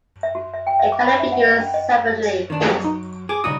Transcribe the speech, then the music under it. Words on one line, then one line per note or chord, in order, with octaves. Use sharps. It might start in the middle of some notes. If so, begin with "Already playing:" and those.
It cannot be used separately.
E5
F#4
E5
G5
E5
D6
B5
E5
F#5
D#5
C#4
D#5
D#3 D4
F#3
D#4
G#4 D6
C#3 G3 D#4 F#4 D#6